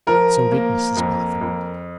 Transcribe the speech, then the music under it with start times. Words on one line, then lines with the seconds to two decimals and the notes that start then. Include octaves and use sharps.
So did Mrs Boffin.
0.07 F3 A#4
0.52 A#3
0.97 F2
1.41 F2